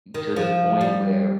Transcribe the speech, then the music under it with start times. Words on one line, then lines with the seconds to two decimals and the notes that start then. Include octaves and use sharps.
to the point where
0.14 D#3
0.36 F3
0.81 G3